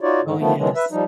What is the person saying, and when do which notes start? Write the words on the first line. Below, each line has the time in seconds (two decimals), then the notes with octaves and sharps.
Oh, yes.
0.01 D#4 F4 F#4 C#5 D5
0.23 G#2 D3
0.39 D#3 F3 A3 B3
0.58 B2 D#3 E3 F#3 G#3
0.76 B4 E5
0.91 F3 G3 D#4